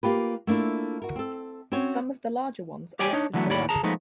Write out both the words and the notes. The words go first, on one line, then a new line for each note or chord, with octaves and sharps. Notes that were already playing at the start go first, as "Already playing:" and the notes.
Some of the larger ones are listed below.
A#3 F4 G4 B4
A3 A#3 D4 E4 F4
F#4 A#4
C4 A4
C4 C#4 F#4 C5 C#5
G4 C#5 D5 G5 G#5
D4 D#4 C#5
D3 E3 F#3 A3 B3
D#2 A2 C#5 D5 B5
G#4 A5 A#5
F3 G#3 A3 B3 D#4